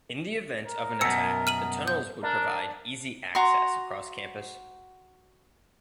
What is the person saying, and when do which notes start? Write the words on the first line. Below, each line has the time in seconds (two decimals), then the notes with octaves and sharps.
In the event of an attack, the tunnels would provide easy access across campus.
0.68 A#4
1.01 F#2 B2 E6 C#7
1.47 F6 D#7 F#7
1.88 G6
2.23 D4 A#4
3.35 F#4 A#5 C6